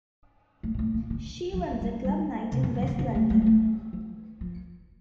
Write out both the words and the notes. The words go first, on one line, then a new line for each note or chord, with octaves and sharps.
She runs a club night in West London.
A2
A#2
A2
A#2
D3
F3
D#3
A3
G3
G3
C3
F2
G2
C3
D3
D3
A3
A3
G3
A3
F3
F3